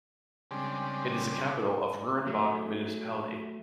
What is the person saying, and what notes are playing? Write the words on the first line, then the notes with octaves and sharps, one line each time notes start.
It is the capital of Rurrenabaque Municipality.
C#3 G3 G#3 C4 D4
F#3 A3